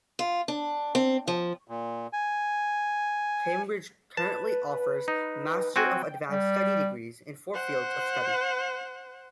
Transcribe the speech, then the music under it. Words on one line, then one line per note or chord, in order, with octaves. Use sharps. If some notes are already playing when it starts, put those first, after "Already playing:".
Cambridge currently offers master of advanced study degrees in four fields of study.
F4
D4
C4
F3
A#2
G#5
B4 A5
D#4
C4 F#4 G5 G#5
G3
C5 F#5